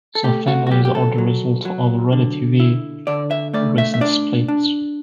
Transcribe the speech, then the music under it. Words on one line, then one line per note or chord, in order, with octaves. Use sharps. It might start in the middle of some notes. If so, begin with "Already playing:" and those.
Some families are the results of relatively recent splits.
A4
A3 G4
F#4
F#4
F#3 G4
G4
A4
F#3
F#3
D3
E4
D3 D5
E5
A3 D5
E5
E5
D4 D5
D4